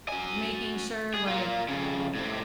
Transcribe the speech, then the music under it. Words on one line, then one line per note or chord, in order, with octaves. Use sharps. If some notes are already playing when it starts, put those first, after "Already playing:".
making sure, like,
F#4 G#5
G#4
A#3 F4
F2 C#3
A2 C3